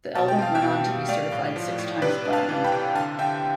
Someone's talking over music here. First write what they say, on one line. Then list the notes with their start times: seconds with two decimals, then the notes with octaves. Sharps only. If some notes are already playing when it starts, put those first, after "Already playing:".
The album went on to be certified six-times-platinum.
0.15 B2 A5
0.28 G5
0.38 C4 F5
0.55 E5 G5
0.62 B2
0.86 G3
1.08 A3 D5 F5
1.32 A2
1.56 F3
1.78 A2
2.02 C3 B4 D5
2.25 D4
2.33 F5 A5
2.49 E3
2.64 G5 B5
2.72 C3
2.95 D3 F5 A5
3.19 D3 E5 G5